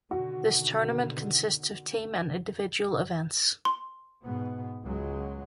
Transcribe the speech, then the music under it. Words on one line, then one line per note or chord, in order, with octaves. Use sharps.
This tournament consists of team and individual events.
B2 D3 D#3 F#4
C6
G#2 B2 B3
C#2 F#3 G#3